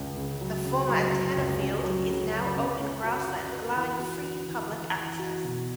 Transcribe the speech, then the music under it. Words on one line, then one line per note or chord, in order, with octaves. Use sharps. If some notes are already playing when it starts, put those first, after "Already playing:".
The former antenna field is now open grassland allowing free public access.
Already playing: C#2 C#4
C#3
F#3
C#3
F#3
F#3
C#2
C#4
F#3
C#3
F#3
C#4
C#4
F#4
F#4
B4
E3
F#4
F#4
E3
E3
E3
F#4
B2